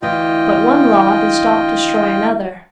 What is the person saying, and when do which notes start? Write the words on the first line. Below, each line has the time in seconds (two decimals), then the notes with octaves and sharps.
But one law does not destroy another.
0.02 D2 E3 F4 D#5 G5